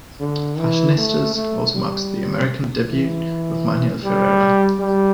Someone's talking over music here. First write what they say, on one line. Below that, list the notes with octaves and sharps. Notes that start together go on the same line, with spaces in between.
"Fashionistas" also marks the American debut of Manuel Ferrara.
D3
E3
A3
A3
G3
E3
G3
G3